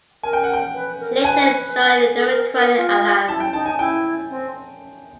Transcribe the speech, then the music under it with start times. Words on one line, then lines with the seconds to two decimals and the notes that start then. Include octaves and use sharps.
She later joined the Democratic Alliance.
0.23 A#4 G#5
0.33 G5
0.44 F#5
0.53 G5
0.74 B4
1.00 A#4
1.24 B4 G#5
2.15 A4
2.27 A#4
2.52 A#4
2.77 F4
3.27 E4 A5
3.40 G5
3.53 D#4 A5
3.66 G#5
3.79 E4 G5
4.30 C4